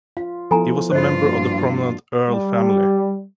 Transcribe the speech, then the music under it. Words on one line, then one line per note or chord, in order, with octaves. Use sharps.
He was a member of the prominent Earle family.
F4 F5
F3 B3 E4 A4 G#5 A#5
G2 F3 F4 C5 D#5
A#3 D4 F#4
G3